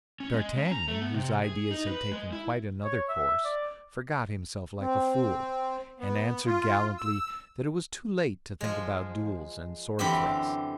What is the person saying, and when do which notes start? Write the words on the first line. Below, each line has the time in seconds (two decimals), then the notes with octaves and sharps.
But d'Artagnan, whose ideas had taken quite another course, forgot himself like a fool, and answered gallantly that it was too late to think about duels and sword thrusts.
0.20 C#4
0.34 G#3
0.58 C#4
0.71 A#5
0.88 A3
1.02 B3
1.14 C3
1.44 G#4
1.71 D#4
1.87 B4
2.12 G#3
2.32 E4
2.85 C#5
3.09 E5
3.45 D5
4.81 C4
6.00 B3
6.46 F4
6.98 E6
8.61 F3 G#3
9.99 F#2 D3 E3 C4 G4 B5